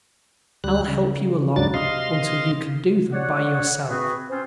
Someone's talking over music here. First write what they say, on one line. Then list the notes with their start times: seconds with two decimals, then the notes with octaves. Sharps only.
I'll help you along until you can do them by yourself.
0.64 D2 G3 F#6
0.87 C#3
1.56 D2 G#2 C#3 F#3 D4 A6
1.74 C3 D#5 F5 C6
3.13 C#5 D5 F#5
3.88 C4 F#4 G#4 B4
4.30 C4 C#4 F4 C5